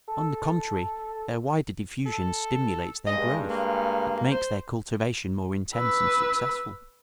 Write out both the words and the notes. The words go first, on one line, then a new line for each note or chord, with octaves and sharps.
On the contrary, their wider diffusion stimulates their growth and makes their cultivation more intense and successful.
A4
A4
G2 G#3 D#5
A#3
C5
B4 E6